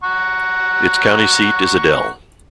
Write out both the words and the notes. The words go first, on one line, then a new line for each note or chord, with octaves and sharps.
Its county seat is Adel.
F#5 A#5 C#6